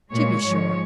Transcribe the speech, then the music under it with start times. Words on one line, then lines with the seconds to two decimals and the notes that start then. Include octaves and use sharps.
'To be sure!
0.13 A#2 G#3 C#5
0.43 G#2 F3 G#3